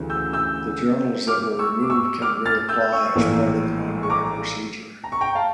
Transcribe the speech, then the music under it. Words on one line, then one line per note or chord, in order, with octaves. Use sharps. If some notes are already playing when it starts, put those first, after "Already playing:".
The journals that were removed can reapply as part of an ongoing procedure.
Already playing: D2 C#3 E3 G3
E6 G6
E6 G6
D6 F6
C#6 E6
D6
C#6 E6
D6 F6
F6 A6
E6 G6
C#6 E6
A#1 A2 E3 A#3
C#6
A#5 D6
A#5
C#6
G5 A#5
F5 A5